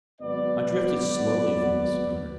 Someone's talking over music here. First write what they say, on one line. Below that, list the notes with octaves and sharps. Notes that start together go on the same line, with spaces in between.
I drifted slowly from the schooner.
G#1 F#3 B3 B4 D5